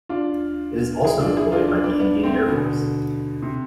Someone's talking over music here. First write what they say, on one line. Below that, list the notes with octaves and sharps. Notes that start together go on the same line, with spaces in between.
It is also deployed by the Indian Air Force.
D4 F4
E4 G#4
D4 F4
E4 G#4
D4 F4
D4 F4
B3 D4
B3 D4
A3 C4
B2 D3
C3